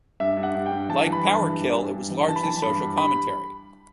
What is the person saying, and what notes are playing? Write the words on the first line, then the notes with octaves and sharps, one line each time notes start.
Like "Power Kill" it was largely social commentary.
G2 E5
G2
F#5
G2
G5
G2
E3 A5
E3
B5
G2
A5
E3
G2
G2
G2
E3
E3 A5
B5
E3 A5
G2 B5
G2
B5